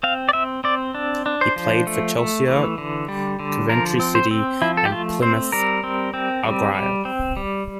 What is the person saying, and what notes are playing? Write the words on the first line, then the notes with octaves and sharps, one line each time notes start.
He played for Chelsea, Coventry City and Plymouth Argyle.
C4 F5
D5
C4 E5
C4 D5
D4
D4
C5
F3
A3
A3
E3
D3
G3
D3
F3 A#4
C4
C5
C4
F3 E4
A4
G4
A3 F4
C4 C5
G3 A#4
C4
C4
G3
G3
C4
G3